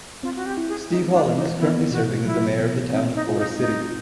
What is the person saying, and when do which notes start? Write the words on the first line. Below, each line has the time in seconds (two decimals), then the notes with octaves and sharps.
Steve Holland is currently serving as the Mayor of The Town of Forest City.
0.23 C4 F4
0.36 F#4
0.46 G4
0.57 E4
0.68 G#4
0.90 G#3 D#4
1.13 D4
1.25 E3
1.35 D#4
1.58 B3 E4
1.91 B2 F#4
2.25 F#3 E4
2.59 B2
2.92 C4 D#4
3.15 D#4
3.27 F4
3.38 D#4
3.60 A3 D#4